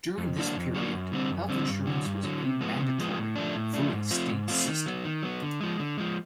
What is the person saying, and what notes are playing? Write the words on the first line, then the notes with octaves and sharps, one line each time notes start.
During this period, health insurance was made mandatory through a state system.
F2
D3 F#3 A#3 D4
F2
D3 F#3 A#3 D4
F#2
D3 G3 C4
F#2
D3 G3 C4
G2
D3 F#3
G2
D3 F#3
C3
F3 G#3 B3
C3
F3 G#3 B3
A2
F3 A3 D4
A2
F3 A3 D4
G#2
F3 A3 C4 F4
G#2
F3 A3 C4 F4
D#3
F#3 B3
D#3
F#3 B3
D3
F3 G#3
D3
F3 G#3